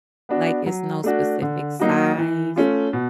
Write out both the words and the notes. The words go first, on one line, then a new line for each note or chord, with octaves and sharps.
Like, it's no specific size,
B3 D4 F#4
F#3
A3 D4 F#4
D3
F#3 A#3 D#4 F#4
E3
A3 C#4 F4
B2